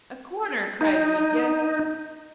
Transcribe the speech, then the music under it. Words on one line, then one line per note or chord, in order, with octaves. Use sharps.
"A corner!" cried Mitya.
D#4